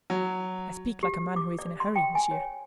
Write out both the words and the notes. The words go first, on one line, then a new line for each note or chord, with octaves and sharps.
"I speak like a man who is in a hurry, monsieur."
F#3
G4
D6
D5
C6
G5
G#5
C#5